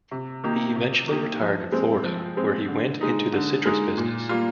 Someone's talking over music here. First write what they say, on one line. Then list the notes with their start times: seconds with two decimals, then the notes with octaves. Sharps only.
He eventually retired in Florida where he went into the citrus business.
0.11 C3
0.43 D#3 A#3 D#4 G4
0.76 C3
1.08 D#3 A#3 D#4 G4
1.40 F3
1.72 G#3 C4
2.04 F3
2.37 G#3 C4
2.68 D3
3.01 G#3 D#4
3.33 D3
3.66 G#3 D#4
3.97 A#2
4.29 G3 A#3 F4